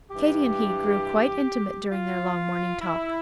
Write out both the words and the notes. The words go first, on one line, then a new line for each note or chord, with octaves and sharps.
Katy and he grew quite intimate during their long morning talk.
G2 E3 G4
F4
E4